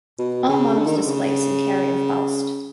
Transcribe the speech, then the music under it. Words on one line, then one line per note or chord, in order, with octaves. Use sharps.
All models displace and carry of ballast.
B2
C#3
D3
D#3
D3
C#3